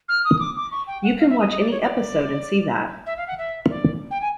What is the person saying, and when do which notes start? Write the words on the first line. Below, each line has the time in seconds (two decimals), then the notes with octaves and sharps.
You can watch any episode and see that.
0.08 F6
0.24 D#6
0.40 D6
0.56 D6
0.71 C#6
0.87 G5
1.03 F#5
1.19 F5
1.29 E5
1.39 D#5
1.50 D#5
1.60 D5
1.71 C#5
1.81 D5
3.06 E5
3.17 F5
3.27 F#5
3.38 E5
3.69 D5
4.11 G5
4.21 G#5